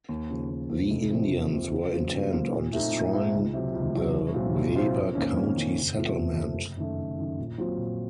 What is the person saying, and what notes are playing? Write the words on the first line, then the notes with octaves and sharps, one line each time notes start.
The Indians were intent on destroying the Weber County settlement.
D#2
C#3 F3
D#2
C#3 F3
F1
F2 C3 F3
F1
F2 C3 F3
C#3
F#3 A#3 F4 C5
C#3
F#3 A#3 F4 C5
A#2
A3 C4 D#4
A#2
A3 C4 D#4
C#2
C3 F#3
C#2
C3 F#3
C2
A#2 F#3 C4 F4
C2
A#2 F#3 C4 F4
F2
D#3 A#3 C#4
F2
D#3 A#3 C#4
F#1
F2 C3 F3 A3
F#1
F2 C3 F3 A3
F#1
F#2 D#3 A3
F#1
F#2 D#3 A3
A#1
A#2 F#3 C4 F4
A#1